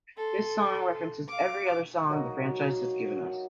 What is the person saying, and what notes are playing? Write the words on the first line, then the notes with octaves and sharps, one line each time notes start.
This song references every other song the franchise has given us.
A4 C6
F5 D6
F#3 A#3 D#4 F#4